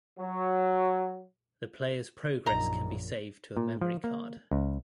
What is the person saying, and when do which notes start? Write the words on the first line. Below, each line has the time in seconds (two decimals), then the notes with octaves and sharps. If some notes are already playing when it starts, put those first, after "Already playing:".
The player's progress can be saved to a memory card.
0.19 F#3
2.46 A#1 F#2 D#4 A#5
3.57 A#2
3.81 F3
4.04 A#3
4.51 C#2